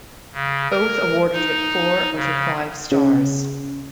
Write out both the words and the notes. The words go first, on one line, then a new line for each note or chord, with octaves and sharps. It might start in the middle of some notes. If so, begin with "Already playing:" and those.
Both awarded it four out of five stars.
C#3
A#4
D#4
C#3
C#3